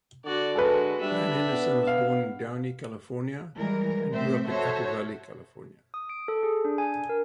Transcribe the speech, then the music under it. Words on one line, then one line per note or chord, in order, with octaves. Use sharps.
Dan Henderson was born in Downey, California and grew up in Apple Valley, California.
D3 F#4 D5
G#3 F#4 A4 B4
G3 D4 E5
B3
F5
E3 G3 G#3 A#4
A2 C4 C5 E5
F#4 A4 C5 C#5 E5
D#6
D7
A4
G#4
D4
G#5
A#4